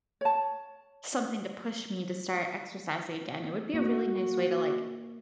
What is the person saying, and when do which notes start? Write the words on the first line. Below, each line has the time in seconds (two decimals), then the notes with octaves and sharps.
something to push me to start exercising again, it would be a really nice way to, like,
0.21 C#5 A5
3.74 A#3 F#4